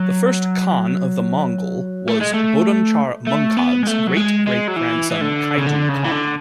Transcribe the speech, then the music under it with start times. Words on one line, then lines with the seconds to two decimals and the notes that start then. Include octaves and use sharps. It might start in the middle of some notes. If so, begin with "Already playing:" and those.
The first Khan of the Mongol was Bodonchar Munkhag's great-great-grandson Khaidu Khan.
Already playing: F#3
2.08 A3
2.21 G#3
2.34 A3
3.27 A3
3.57 B3
3.83 G#3
3.87 A3
4.07 F#3
4.16 G#3
4.47 G#3
4.68 F#3
4.76 E3
5.11 E3
5.21 D3
5.58 C#3
5.66 D3
5.89 C#3
6.04 E3
6.11 D3